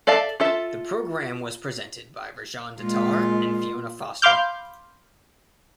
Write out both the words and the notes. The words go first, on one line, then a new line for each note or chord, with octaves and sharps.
The programme was presented by Rajan Datar and Fiona Foster.
A4 D5 E5 F5 A5
F4 A4 E5
A#2 G#3 F4
F5 B5 C6 D6 F6 G6